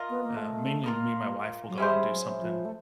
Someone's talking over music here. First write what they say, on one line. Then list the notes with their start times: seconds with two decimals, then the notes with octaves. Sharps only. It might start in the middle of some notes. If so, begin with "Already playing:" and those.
Uh, mainly me and my wife will go out and do something.
Already playing: F4 A#4 D#5
0.10 B3
0.24 A#3
0.37 A3
0.84 A#3 F4 A#4 D#5
1.68 F#3
1.78 G3 C#4 E4 G#4 C5
2.09 F#3
2.40 F3
2.65 A3